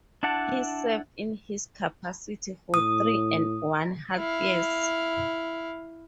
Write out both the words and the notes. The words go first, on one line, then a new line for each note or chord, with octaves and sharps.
He served in this capacity for three and one half years.
D4 E4 D5 F#5 A5
A2 D#6
E4 F5